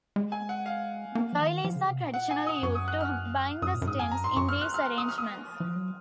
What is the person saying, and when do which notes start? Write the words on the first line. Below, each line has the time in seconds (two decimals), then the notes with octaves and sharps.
Doilies are traditionally used to bind the stems in these arrangements.
0.16 G#3
0.32 G#5
0.49 F#5
0.66 F5
1.15 A#3
1.33 F3
1.39 D#3
1.64 F3
1.76 C#3
1.89 C3
2.01 A#2
2.14 F#5
2.31 G#5
2.47 D#6
2.63 F#2 C#6
2.75 D#6
2.88 F#6
3.01 F6
3.62 F#2 D#6
3.75 A#2
3.82 F#2
3.87 G#2 D#6
3.99 F2 G#5
4.11 F#2 A#5
4.24 G#2 C6
4.36 F#2 C#6
4.49 F6
4.61 F#6
4.74 F6
4.98 D#6
5.09 F6
5.18 D#6
5.60 F3
5.76 F#3